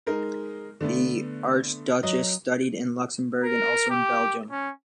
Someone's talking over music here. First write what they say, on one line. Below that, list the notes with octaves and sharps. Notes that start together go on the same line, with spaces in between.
The archduchess studied in Luxembourg and also in Belgium.
G#3 D#4 A#4
D3 A3 B3
F#3 D#5
A#4
G4
C#4